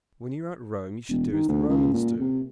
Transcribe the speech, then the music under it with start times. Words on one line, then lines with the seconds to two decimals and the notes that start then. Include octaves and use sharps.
When you are at Rome you should do as the Romans do.
1.10 E1
1.32 D#3
1.49 D2
1.69 C#2
1.94 A#2
2.20 C3